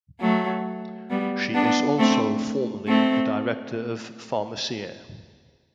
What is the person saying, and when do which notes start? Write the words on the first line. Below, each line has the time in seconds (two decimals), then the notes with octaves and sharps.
She is also formerly a director of Pharmacia.
0.20 F#3 A3
1.10 G3 B3
1.54 B3 D4
1.98 A3 C4
2.87 A3 C4